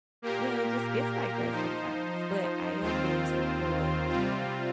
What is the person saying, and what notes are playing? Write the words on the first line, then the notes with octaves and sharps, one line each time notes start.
Yeah. It just gets like that sometimes, but I am very supportive. Um,
A#2 A#3 G4 A#4
F3 D#4 C5
D#2 D#3 C4 F4 C5
C3 G3 C4 F4